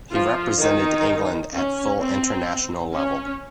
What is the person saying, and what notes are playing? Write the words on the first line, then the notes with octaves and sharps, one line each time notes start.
He represented England at full international level.
F3 F4
D#3 D#4
C#4
C4
C#4